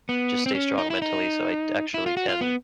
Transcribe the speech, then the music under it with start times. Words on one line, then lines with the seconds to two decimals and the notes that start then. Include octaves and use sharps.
just stay strong mentally, so I d actually can
0.09 B3
0.46 C4
0.55 C#4
0.78 D#4
0.90 E4
1.02 D#4
1.94 E4
2.06 F4
2.17 F#4
2.29 F4
2.41 B3